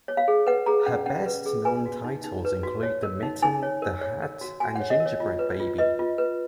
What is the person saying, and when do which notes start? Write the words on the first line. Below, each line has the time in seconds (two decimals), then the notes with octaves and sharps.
Her best-known titles include "The Mitten", "The Hat", and "Gingerbread Baby".
0.08 C#5
0.17 F5
0.28 G#4
0.47 B4 F#5
0.66 G#4 A#5
0.86 C#4 F#5
1.06 C#4 F#5
1.26 B4
1.46 G#4
1.65 B4 G#5
1.85 F#4
2.04 D#4
2.24 D#4
2.45 B4
2.63 F#4
2.83 C#5
3.03 A#4
3.23 D#4
3.42 D#4 G#5
3.63 C#5
3.82 A#4
4.01 C#5
4.22 A#4
4.41 F#4
4.60 F#4 G#5
4.75 C#5 F#5
4.90 D#5
5.00 A#4
5.06 C#5
5.20 F4
5.39 B4
5.60 F4
5.78 B4 D#5
5.99 F4
6.18 B4